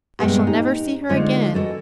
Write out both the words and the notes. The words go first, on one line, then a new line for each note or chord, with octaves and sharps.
I shall never see her again....
G2 A#2 G#3 A3 B3 G4
D#4 G4
D3 G#3 A3 D#4 F4 C5
E3 F#4 G4 A4 D#5